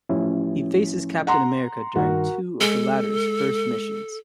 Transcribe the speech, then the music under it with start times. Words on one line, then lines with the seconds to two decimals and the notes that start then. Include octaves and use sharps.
He faces Captain America during two of the latter's first missions.
0.09 A1 F3 C#4 E4
1.27 F#5 A#5 C6
1.96 G2 D#3 F#4 A#4
2.61 G#3 A4